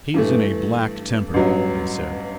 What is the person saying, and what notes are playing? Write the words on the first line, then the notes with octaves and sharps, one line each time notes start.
"He is in a black temper," they said.
G2 E3 A3
A1 G2 F#3